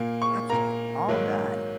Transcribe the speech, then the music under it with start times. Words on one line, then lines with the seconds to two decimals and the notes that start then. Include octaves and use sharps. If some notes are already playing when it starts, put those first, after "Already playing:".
I have to get them all done."
Already playing: A#2 A#3
0.22 C#6
0.50 A#2 A#3 A#5
1.08 G#2 D#3 F#3 A#3